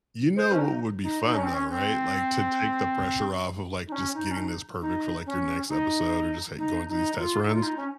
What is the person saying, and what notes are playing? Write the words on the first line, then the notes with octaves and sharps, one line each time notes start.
You know what would be fun, though. Right? Like, to take the pressure off of, like, just getting this perfect for, like, your next episode or just, like, going through these test runs.
C5
C#4
D#4
D#4
D#4
C#4
C4
C#4
C4
D#4
C#4
D#4
C#4
D#4
D#4
C#4
D#4
D#4
D#4
F4
D#4
F4
D#4
C#4